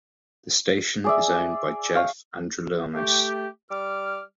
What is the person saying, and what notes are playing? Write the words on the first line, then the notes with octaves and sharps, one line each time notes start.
The station is owned by Jeff Andrulonis.
G#4 D5 E5
F5 C#6
A3 G4
G3 D6 F6